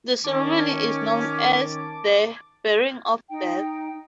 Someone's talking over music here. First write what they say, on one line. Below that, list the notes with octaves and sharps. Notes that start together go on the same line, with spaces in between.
The ceremony is known as the "burying of Death".
D#3 C#4 A5 D6
D#4 G5